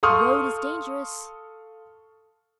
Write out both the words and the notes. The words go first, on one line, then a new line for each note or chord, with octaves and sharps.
"The road is dangerous."
A4 F5 C6 C#6 D#6 F6